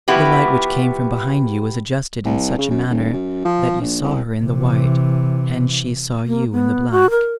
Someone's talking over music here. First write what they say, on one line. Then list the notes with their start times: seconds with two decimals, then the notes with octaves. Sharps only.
The light which came from behind you was adjusted in such a manner that you saw her in the white, and she saw you in the black.
0.08 F3 B3 E4 F#4 G4
2.25 C2
2.58 C#3
2.70 F#2
2.90 D#1
3.13 F#2
3.45 F3
3.81 A#1
4.03 C2
4.43 C3 E3
6.26 A#3
6.52 B3
6.91 F#4
7.10 A#4